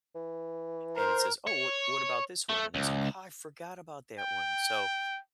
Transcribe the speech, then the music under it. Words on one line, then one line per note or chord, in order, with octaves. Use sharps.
and it says, "Oh, wha what about this one?" and I said, "Oh, I forgot about that one." So,
E3
A#4 C5
C#5
A3
C#2
G5